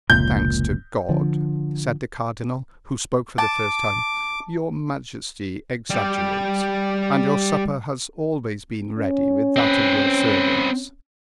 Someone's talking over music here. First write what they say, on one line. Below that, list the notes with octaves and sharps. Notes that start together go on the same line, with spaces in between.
"Thanks to God," said the cardinal, who spoke for the first time, "your majesty exaggerates, and your supper has always been ready with that of your servants."
F1 C#2 A#2 G6
D3 F3
A5 D6
G3 G4
C#4
C4 B4